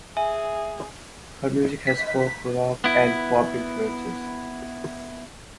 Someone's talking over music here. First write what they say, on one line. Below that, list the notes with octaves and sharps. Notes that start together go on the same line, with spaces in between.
Her music has folk, rock, and pop influences.
G#4 E5 G#5
B6
B3 E4